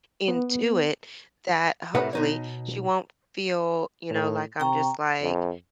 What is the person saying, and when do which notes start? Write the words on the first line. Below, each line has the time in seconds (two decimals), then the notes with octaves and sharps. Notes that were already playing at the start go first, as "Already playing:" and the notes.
into it that, hopefully, she won't feel, you know, like I'm just like,
0.28 B3
1.95 A2 C3 A3 A#4 B4 F#5
2.13 B2 D#4 C#5
4.10 A2
4.60 C3 G5 A#5 C#6
5.23 F2